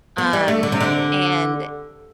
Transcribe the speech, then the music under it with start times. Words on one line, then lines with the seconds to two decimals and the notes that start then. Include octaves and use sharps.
um, and
0.18 B3
0.33 G3
0.48 A3
0.63 D3
0.72 C3
0.80 D3